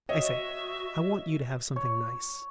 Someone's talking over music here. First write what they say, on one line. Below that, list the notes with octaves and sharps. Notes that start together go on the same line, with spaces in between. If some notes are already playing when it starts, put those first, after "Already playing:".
I say, I want you to have something nice.
F#4 C#5 D#5 E5
C#5